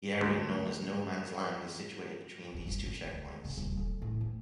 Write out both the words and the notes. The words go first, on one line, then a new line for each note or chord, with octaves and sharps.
The area known as "no-man's land" is situated between these two checkpoints.
D2
E2
G1
D3
D2
C#3
D#1
D3
A2
C4